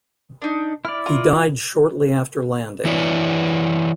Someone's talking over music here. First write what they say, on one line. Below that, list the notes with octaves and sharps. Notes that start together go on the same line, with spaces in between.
He died shortly after landing.
D4 D#4
E4 D5 F6
F4 A#5
E3 E4 B4 C#5 D5